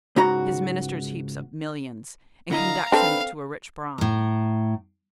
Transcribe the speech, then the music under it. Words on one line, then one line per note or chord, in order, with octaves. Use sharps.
His minister heaps up millions, and conducts him to a rich bride.
C#2 G#2 F#4 A#5
D3 E4 D#5 F5 A#5
C4 D4 A4 B4 F5
A2 A#5